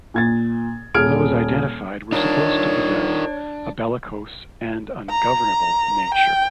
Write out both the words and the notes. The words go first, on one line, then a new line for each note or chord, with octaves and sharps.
Those identified were supposed to possess a bellicose and ungovernable nature.
A#2 G#6 A6
D#1 G#4 F6 G#6 D7
D4 D#4 F4 A#4 C#5
A#5
G5